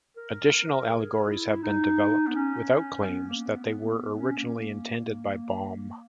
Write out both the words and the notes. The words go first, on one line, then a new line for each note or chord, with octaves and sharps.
Additional allegories have been developed, without claims that they were originally intended by Baum.
A#4
G#4
E4
D#4
B3
C#4
B3
A#3
B3
B3
A#3
B3
C#4
A#3